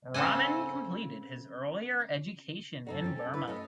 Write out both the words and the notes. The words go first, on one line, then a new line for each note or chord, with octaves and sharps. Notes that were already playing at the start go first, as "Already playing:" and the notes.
Raman completed his earlier education in Burma.
C#3 C4 A4 F#5 G#5
F#2 D#4 F#4 A4
C4 C#4
A4
E4 B4
A3 A4 C#5 D#5